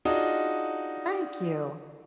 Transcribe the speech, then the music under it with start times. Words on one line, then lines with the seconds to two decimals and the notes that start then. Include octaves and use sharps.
Thank you!
0.05 D4 D#4 F4 F#4 G#4 D#5